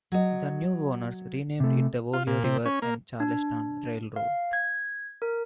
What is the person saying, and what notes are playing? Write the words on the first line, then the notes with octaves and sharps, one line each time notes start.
The new owners renamed it the Ohio River and Charleston Railroad.
F#3 D#5
C3 A3
F4
A#2
C3
C#4
A#3
D4
F5
G#6
A#4